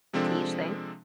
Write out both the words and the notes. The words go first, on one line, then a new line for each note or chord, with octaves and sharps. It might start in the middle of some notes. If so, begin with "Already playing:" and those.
to each thing?
C3 F3 G#3 C4 D4 A4